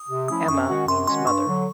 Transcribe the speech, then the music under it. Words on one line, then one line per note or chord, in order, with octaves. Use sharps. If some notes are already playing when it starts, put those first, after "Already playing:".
"Amma" means mother.
Already playing: D#6
C3
F3 A3 C#4 E4 D#6
F#2 C#6
D#3 G#3 C#4 F#4
F#2 C6
D#3 G#3 C#4 F#4 C6
G2 C#6
D3 F#3